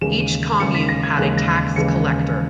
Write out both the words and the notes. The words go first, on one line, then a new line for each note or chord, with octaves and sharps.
Each commune had a tax collector.
D#2 C#3 E3 G#3 E7
D#7
D#2 C#3 E3 G#3 C#7
B6
A#6
G#6
D#2 C#3 E3 G#3 F#6
A#6
D#2 C#3 E3 G#3 C#7